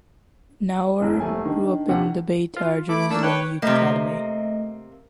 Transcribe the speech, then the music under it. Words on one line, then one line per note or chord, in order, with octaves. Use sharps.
Naor grew up in the Beitar Jerusalem youth academy.
E1 F#2 E4
D#1 F3 A3 G#5
D#3 D4
D#2 C3 F#5
F4
A3 E4 B5 D6
A3 A#3 D4 E6
B4 C#5 G5 F#6
C3 A3 A#3 D#5